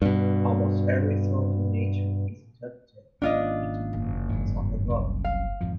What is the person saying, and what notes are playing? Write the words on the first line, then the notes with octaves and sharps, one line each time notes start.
Almost every sound in nature is interpreted into the movements of a god.
G2 B2
G#1 A#3 C#4 D4 F4 D#5
F#1
G#1 G2 F#3
C2 F#2
F5
G#1 F2 F3